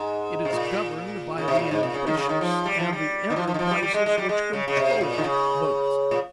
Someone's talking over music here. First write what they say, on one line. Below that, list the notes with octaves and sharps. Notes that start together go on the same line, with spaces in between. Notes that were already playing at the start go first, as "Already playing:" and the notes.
It is governed by the ambitions and the enterprises which control votes.
Already playing: G#2
C3
A#2
C#3
C3
A#2
G#2
A#2
C#3
D#3
C#3
D#3
F3
G3
F3
G3
D#3
F3
F3
D#3
F3
G3
G3
G#3
G#3
G3
G#3
C#3
C#3
C3
A#2
D#3
C#3
A#2